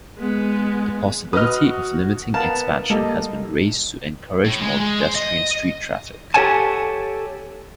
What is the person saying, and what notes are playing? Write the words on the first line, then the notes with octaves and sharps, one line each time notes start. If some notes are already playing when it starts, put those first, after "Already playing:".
The possibility of limiting expansion has been raised to encourage more pedestrian street traffic.
G#3 B3
F#4 B4 D#5 D#6 F6
B3 A#4 F5 A5 A#5
G3 A#3 A4 D#5
A2
G#3
G#3
C5
D#5
G4 A4 C#5 F#5 G#5 A5